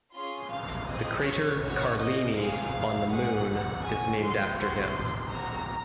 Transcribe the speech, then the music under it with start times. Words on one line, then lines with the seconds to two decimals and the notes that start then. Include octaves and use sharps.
The crater Carlini on the Moon is named after him.
0.14 C#4 F4 G#4 C6
0.51 F5
0.88 C4 F4 G#4 D#5
1.25 C#5
1.61 C#4 F#4 C#5
1.98 D#5
2.35 C4 F4 G#4 F5
3.09 C#4 G#4 F#5
3.82 C#4 F#4 G#5
4.20 C6
4.56 C4 F#4 C6
5.30 C4 F#4 A#5